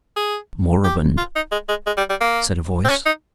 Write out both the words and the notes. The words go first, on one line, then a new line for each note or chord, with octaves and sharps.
"Moribund," said a voice.
G#4
G4
F4
D#4
G#3
G#3
G#3
G3
G3
A#3
C4
C#4
D#4